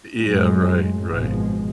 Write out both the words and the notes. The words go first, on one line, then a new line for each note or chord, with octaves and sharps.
Yeah, right, right.
F#2 A2 F#3 G#3
G#1 B2 F3 G#3